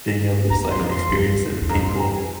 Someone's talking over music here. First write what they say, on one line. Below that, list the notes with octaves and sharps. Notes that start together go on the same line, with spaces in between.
being able to just like experience it with people,
E2 A#5
C6
F2
C6
F2
E2
F2 A#5
C6
A#5
G#5